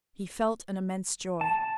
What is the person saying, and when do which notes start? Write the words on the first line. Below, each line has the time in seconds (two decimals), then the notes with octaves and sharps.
He felt an immense joy.
1.41 A5